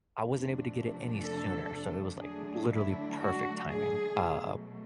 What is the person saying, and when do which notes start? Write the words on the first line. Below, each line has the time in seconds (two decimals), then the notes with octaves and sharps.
I wasn't able to get it any sooner. So it was, like, literally perfect timing, uh,
0.22 F2 C3 F3 A3 D4
1.21 A4
2.20 D3 F#3 A3 D4 G#4
2.71 E4
3.21 F#4
3.70 G#4
4.20 B2 F#3 A3